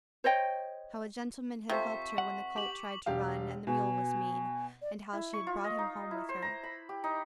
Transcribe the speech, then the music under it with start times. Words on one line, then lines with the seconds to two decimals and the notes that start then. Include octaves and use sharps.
How a gentleman had helped her when the colt tried to run and the mule was mean, and how she had brought him home with her.
0.24 C5 C#5 D#5 G5
1.69 C3 F4 A4 C5 C#6 B6
2.18 F#5
2.56 G4 D6 F#7
3.06 E1 G4 F5
3.67 B2 G#5
4.81 D5
5.13 E4
5.33 C#6
5.47 F4
5.64 D#5
5.79 D#4
6.11 E4
6.29 C5
6.42 A#5
6.63 B5
6.89 G4
7.04 D#4